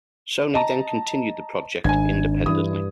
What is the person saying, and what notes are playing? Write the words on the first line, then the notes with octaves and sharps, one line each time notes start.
Sony then continued the project independently.
D#5 A5 A#5
G#1 D4 G#5 G#6
G2 E3 D#6